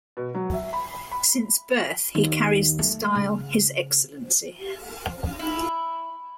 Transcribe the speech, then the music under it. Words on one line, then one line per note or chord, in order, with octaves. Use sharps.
Since birth he carries the style "His Excellency".
B2
F#3
E5
B5
B5
D#2
A3
C#3
E4